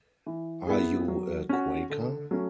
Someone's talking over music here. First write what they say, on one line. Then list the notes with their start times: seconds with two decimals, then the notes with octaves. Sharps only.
Are you a Quaker?
0.26 E3
0.67 B3 E4 G#4
1.08 F#3
1.49 C#4 F#4
1.90 D3
2.31 F#3 A3 C#4